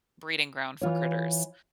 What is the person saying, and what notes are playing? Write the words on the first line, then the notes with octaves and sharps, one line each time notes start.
breeding ground for critters.
E3 F4 C#5